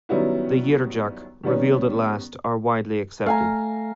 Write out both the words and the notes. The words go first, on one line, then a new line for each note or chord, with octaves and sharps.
The Yherjak, revealed at last, are widely accepted.
D#3 F#3 G3 B3 C#4 E4
D#3 G3 B3 C#4
A3 F5 G#5 A#5